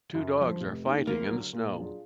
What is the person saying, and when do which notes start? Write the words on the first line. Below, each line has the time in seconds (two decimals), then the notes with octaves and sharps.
Two dogs are fighting in the snow.
0.15 F#2
0.38 D3 F3
0.61 F1
0.84 D#2 D#3
1.07 D2 A#3
1.31 D3 F#3
1.53 A#2
1.76 F#3 D4 F4 G#4